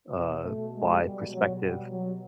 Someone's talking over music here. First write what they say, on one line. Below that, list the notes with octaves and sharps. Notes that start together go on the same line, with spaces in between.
uh, by perspective,
B2
A3
G#3
G3
F#3
G3
F#3